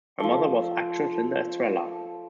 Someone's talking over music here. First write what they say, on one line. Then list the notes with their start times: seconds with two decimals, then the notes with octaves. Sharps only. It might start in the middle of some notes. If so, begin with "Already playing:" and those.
Her mother was actress Linda Estrella.
0.20 F3 A3